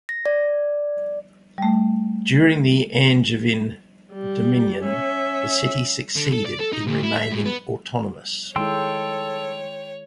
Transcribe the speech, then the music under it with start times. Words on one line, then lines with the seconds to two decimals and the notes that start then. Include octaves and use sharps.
During the Angevin dominion the city succeeded in remaining autonomous.
0.09 A#6
0.26 D5
1.58 G3 A3
4.13 G3
4.85 C#4 E5
6.16 D3
6.32 A4
6.45 D5
6.59 A4
6.72 D#4
6.87 D2
7.03 E4
7.18 E5
7.32 A2
7.46 B3
8.56 D#3 G#3 E4 A4 C#5 G5 C6 E6